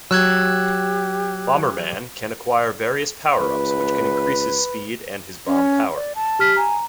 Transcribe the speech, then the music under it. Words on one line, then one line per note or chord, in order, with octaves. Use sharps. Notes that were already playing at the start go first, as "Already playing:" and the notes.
Bomberman can acquire various power-ups which can increase his speed and his bomb power.
F#3 G4 E6 F#6 G#6
C#2 B4
C#4
D5
A5
G4 F6 B6
G#5 A#5